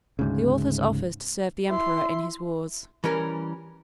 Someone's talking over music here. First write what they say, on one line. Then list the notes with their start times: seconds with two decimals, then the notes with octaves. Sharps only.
The author's offers to serve the emperor in his wars.
0.19 D2 G#2 C#3
1.70 E4 C6
3.04 E3 G3 C#4 A#4